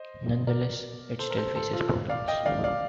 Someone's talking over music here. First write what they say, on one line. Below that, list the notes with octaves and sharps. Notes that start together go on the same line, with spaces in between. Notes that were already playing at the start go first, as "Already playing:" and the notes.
Nonetheless, it still faces problems.
Already playing: C5 D#5
A#4 D5
A4 C5
A#4
A4 C5
A4 C5
F4 A4
D5 F5
D#5 G5
D5 F5
D5 F5